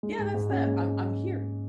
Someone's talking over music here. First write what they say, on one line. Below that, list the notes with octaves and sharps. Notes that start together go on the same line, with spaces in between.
yeah, that's that. I'm I'm here,
G#3
G#2
G#2
C#4
G#3